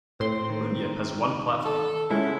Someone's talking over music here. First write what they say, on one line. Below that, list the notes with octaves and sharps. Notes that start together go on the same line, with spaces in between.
Bunyip has one platform.
A2 C4 C6
D#3
A4
C#3 G#3 C#4 E4 F#5 E6